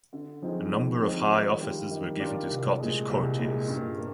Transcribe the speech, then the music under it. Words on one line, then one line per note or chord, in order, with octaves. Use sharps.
A number of high offices were given to Scottish courtiers.
D3
F3 C4 D#4 G#4
D3
F3 C4 D#4 G#4
D#3
G3 D4 F4 A#4
D#3
G3 D4 F4 A#4
C2
A#2 G#3
C2
A#2 G#3
G2
A#3